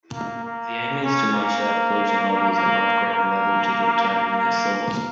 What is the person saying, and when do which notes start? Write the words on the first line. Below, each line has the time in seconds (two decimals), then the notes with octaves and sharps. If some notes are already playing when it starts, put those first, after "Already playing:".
The aim is to measure pollutant levels above ground level to determine their source.
0.13 A#3
0.43 A#3
1.04 C#4
1.34 A#3
2.55 A#3
3.15 A#3
4.36 A#3